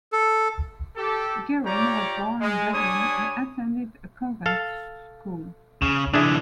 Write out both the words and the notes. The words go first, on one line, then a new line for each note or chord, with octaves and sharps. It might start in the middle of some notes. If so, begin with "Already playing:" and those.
Guerin was born in Dublin and attended a convent school.
A4
G4 A4
F4 G4 C#5 D5 G5 A#5
G#3
G3 D4 C#5 G#5 B5 D#6
A4 F5
C#3
D3 E3 D4 G#4 E5